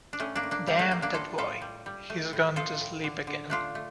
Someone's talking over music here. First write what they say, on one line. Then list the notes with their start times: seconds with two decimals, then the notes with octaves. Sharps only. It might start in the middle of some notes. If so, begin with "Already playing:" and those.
Damn that boy; he’s gone to sleep again.
0.13 D4
0.20 A2 A3 C#4
0.35 A#3 D4
0.43 A2
0.51 A#3 D4
0.67 G3 A#3
0.79 A3
0.91 G3 A#3
1.02 A#3 D4
1.14 A2 F4 A4
1.38 A2 F4 A4
1.62 G3
1.86 G3
2.10 A3
2.33 A2
2.56 F3 F4 A4
2.80 A2
3.04 D3
3.27 D3
3.50 A3 D4 F4
3.75 A3